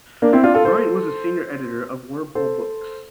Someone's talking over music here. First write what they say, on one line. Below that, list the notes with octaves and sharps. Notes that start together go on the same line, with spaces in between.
Bryant was a senior editor of Wormhole Books.
A#3 D4
C4 E4
D4 F4
F4 A4
A4 C5
A4 C5